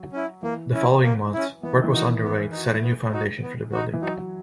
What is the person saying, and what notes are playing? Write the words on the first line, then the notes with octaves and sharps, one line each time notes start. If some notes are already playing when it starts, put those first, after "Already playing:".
The following month, work was underway to set a new foundation for the building.
Already playing: F#3
C#4 E4
E3 A#3
C#4 E4
A#3
C#4 E4
E3 B3
D#3
E3
D#4 F#4
B3
D#4 F#4
B3
D#4 F#4
B3
D#4 F#4
E3
F#3 D#4